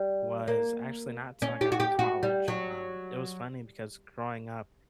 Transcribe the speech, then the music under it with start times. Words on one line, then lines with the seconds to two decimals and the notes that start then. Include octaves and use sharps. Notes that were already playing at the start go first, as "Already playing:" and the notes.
was actually not 'till I got to college, um, it was funny because growing up,
Already playing: G3
0.48 A#3
1.42 C#4
1.61 G4
1.72 F#4
1.80 G4
1.99 F#4
2.23 G3
2.48 F#3